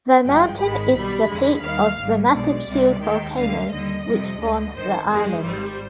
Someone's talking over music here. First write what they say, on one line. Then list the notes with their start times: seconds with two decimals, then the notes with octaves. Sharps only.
The mountain is the peak of the massive shield volcano which forms the island.
0.25 G#1 G2 F3 G#3 G5
0.60 G#1 G#2 D#3 G#3 B5
0.94 B1 B2 G3
1.28 F2 D3 G#3
1.63 D#2 D#3 G3 F5
1.98 G#1 G#2 G3
2.33 B1 B2 G#3 D5
2.67 C2 C3 G3
3.01 D#2 D#3 G#3 G5
3.36 D2 D3 G3 F5
3.70 D#2 D3 G3 D#5
4.05 F2 C3 G3
4.40 D2 D3 G#3
4.74 G1 G2 D#3 C5
5.09 F2 D#3 G#3 C5
5.43 G#1 G#2 G3